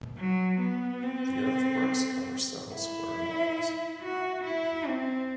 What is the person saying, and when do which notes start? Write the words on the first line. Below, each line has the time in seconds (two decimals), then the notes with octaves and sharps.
The earthworks cover several square miles.
0.18 F#3
0.60 B3
1.03 C4
2.74 E4
4.02 F#4
4.44 E4
4.87 C4